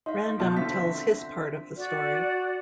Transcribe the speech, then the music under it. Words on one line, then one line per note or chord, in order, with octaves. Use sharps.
Random tells his part of the story.
D#4 F5 C6
B2 F4 A5 C#6 G6
D3 C4 F4 E5 B6
F#4 D5